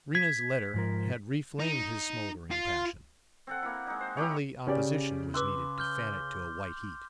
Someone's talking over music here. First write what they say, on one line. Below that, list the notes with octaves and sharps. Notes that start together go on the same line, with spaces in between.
Rena's letter had re-inflamed his smouldering passion; only opposition was needed to fan it to a white heat.
G#6 B6
G#2 F3 A#4
D#4
F4
C4 A4 F#5
A#3 E4
G#3 D#4
C5
D#4 E4 G4 C#5
C#3 C#4 G4 D5
B4 C6 D6 E6 F#6
F6 G6 G7